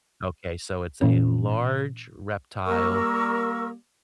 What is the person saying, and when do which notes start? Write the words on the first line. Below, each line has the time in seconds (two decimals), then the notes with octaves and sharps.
Okay, so it's a large reptile
1.02 A#2 E3 C#4
2.66 G3 A#3 A#4 C#6 E6